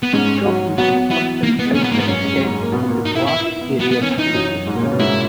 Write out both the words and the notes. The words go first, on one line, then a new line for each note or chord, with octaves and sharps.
Children in Huston Township attend the Dubois Area School District.
B3
G#2 G#3 C#4
F#3 F#4
F#3 B3 F#4
E3 B3 E4
A#3
B3
G#3
A#2 A#3 C#4
B3
G#2 G#3 A#3
B3
F#2 F#3 C#4
G#3
F#3
G#2 G#3
A#3
B2 B3
B3
A#2 A#3
D#4
E4
E4
B3
A#2 A#3
B3
B3
D#3 C#4
E3 D#4
F#2 F#3
G#2 G#3
A#2 A#3
C#3 C#4
B2 B3
G#2 G#3 E4